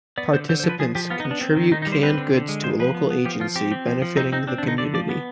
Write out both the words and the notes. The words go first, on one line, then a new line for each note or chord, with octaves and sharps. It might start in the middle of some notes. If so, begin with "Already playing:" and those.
Participants contribute canned goods to a local agency benefiting the community.
B3 D5
D3 C5
D3 C5
C5
F3
B4
F3 G#4
F3 G4
B3 F4
D#4
B3
D4
C4
D#3
D#3 D#4
D#4
G3
C5
C4 B4
D3
D3
G#3
F3 C5
F3 B4
B3
B3
F3 G4
F3 F4
C4 G4
C4
F3
F3
C4 D#4
C4 D#4
C4 D4
D4
D3
D#4
D3 D5
F3 D5
B3